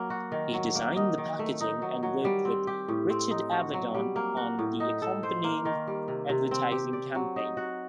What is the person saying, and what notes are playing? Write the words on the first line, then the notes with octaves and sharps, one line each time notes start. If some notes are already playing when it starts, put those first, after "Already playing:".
He designed the packaging and worked with Richard Avedon on the accompanying advertising campaign.
Already playing: F#3 A#3
F#4
D#3
F#3
A#3
D#4
D#3
A3
D#4
F#3
F#3
G3
C4
G4
A2
C4
D#4
F#4
F#3
G3
A#3
F#4
A2
D#4
A4
C5
A#3
D#3
G3
C3
C3
C4
G4
D5
F#3
D#4
F#4